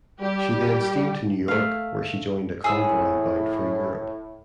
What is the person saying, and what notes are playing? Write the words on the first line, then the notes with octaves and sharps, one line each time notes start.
She then steamed to New York where she joined a convoy bound for Europe.
G3 G4
A3 F5
A2 G#4 E6